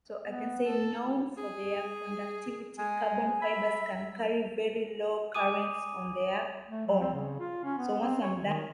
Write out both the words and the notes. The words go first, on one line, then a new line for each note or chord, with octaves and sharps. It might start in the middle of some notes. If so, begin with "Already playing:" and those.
Known for their conductivity, carbon fibers can carry very low currents on their own.
B3
A4
G#4
G#3 G#5
E5 B5
G#5 D6 D#6 D#7
A3
F#3
C4
C#3
F4
C#4
B3
C4
C#5
D#3